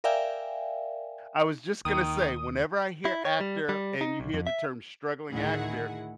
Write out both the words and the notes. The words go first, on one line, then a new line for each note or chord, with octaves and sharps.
I was just gonna say, whenever I hear actor, and you hear the term, "struggling actor,"
A#4 D5 E5 F5 G5 G#5
D#2 D#3 D#6
E4
C#5
G3
G3
D#4
B1
F2
E5
D2 A2 D#3 E4 G#4 F#5